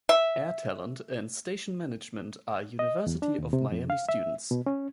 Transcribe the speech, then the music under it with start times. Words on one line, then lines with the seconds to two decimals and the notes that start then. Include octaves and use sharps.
Air talent and station management are University of Miami students.
0.09 E5
2.79 D#5
3.07 E2
3.22 D4
3.38 D#2
3.53 C3
3.72 F2
3.90 F5
4.09 E5
4.51 B2
4.66 C#4